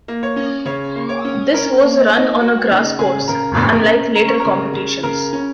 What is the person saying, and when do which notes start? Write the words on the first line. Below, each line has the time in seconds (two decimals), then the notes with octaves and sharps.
This was run on a grass course, unlike later competitions.
0.08 A#3
0.23 C#5
0.36 C#4
0.65 C#3 C#5
0.95 A#3
1.09 C#5
1.25 C#4
1.54 C#4 A#4
1.82 A#3
1.98 D#5
2.07 A#3 C#5
2.17 D#4 D#5
2.41 A#3 F#4 F#5
2.70 C#3 D#4 D#5
2.99 C#3 G#4 G#5
3.28 C#3 A#4 A#5
3.58 C#3
3.72 A#4 A#5
3.87 C#4
4.15 C#4 A#5
4.28 C#6
4.40 A#4 A#5
4.45 C#3
4.73 C#3
5.03 C#3 A#4 A#5
5.33 C#4